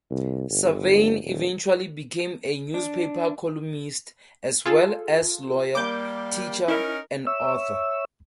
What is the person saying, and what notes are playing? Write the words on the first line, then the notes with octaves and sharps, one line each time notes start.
Savain eventually became a newspaper columnist, as well as lawyer, teacher, and author.
C2
G1
D#1
D4
F4 G#4 A4
G3 A#3 D6 G6
C#4 D#4 E4 A#4
C#5 E5 E6